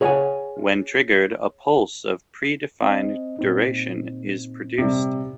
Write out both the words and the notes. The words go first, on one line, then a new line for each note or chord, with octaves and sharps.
When triggered, a pulse of pre-defined duration is produced.
G#4 C#5 D#5 F5 F#5 G#5
C4 D#5
A#2 C4 D#4
C3 G3